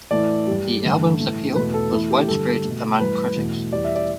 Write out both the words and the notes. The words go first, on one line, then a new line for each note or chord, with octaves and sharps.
The album's appeal was widespread among critics.
A2 E3 A3 D5
G2 G3
G2 D3 A3
A2 E3 A3
E2 B2 A3 B4
A4
E2 B2 A3 E4
G4
G2 D3 G3 A4
B2 A3
G2 E3 A3 B4
E2 B2 A3
E2 E3 G3 D5
E5
D5